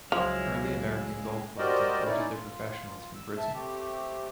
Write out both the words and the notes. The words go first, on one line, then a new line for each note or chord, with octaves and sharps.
Early American golf clubs imported their professionals from Britain.
C#2 F3 F#3 G#3 C#4 E4 F5
F#4 G4 A#4 C5 D5 D#5
C#4 D#4 E4 D5
F4
E6
E5 A5
A3 C4 G4